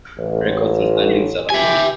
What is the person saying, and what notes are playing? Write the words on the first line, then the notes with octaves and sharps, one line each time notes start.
Records and standings are unknown.
A1
G4 E5 G#5